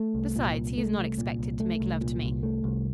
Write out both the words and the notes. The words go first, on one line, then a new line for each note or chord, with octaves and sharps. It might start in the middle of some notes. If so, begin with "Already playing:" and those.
Besides, he is not expected to make love to me.
Already playing: A3
C2
A#2
C2
A3
C2
A#2
C2
A3
C2
A#2
C2
A3
C2